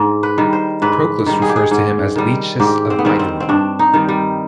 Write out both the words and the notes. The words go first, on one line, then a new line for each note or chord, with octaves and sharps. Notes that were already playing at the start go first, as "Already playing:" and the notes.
Proclus refers to him as "Lesches of Mytilene".
Already playing: G#2
B4
D#3 G3
C5
G#2 B4
D#3 G3
G#4
G4
G#4
G#2
D#3 G3
G#2 G4
C4
B3
D#3 G3 C4
C4
C4
G2 D4
D#4
D#3 G3
G3